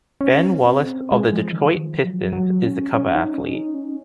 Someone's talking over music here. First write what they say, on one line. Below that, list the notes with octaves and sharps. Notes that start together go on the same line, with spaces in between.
Ben Wallace of the Detroit Pistons is the cover athlete.
C#4
C4
G#3
F3
D#3
F3
F#3
F#3
C#4
C#4
D#4
C#4
D#4
C#4